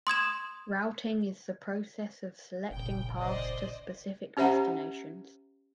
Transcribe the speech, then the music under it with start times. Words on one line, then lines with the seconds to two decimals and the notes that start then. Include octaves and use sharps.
Routing is the process of selecting paths to specific destinations.
0.07 C6 D#6 G#6 E7
2.70 F1 A#1 C#3 G5
3.18 C5 D5 D#5
4.37 C#4 G4 C5 E5 F#5 A#5